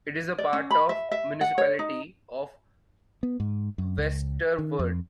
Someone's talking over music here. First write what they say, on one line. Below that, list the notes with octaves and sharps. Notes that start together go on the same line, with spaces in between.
It is a part of the municipality of Westerveld.
D5
C#4
B5
E5
E5
F#5
C#5
D#4
B3
G#2
F#2
C#2
D#3
F2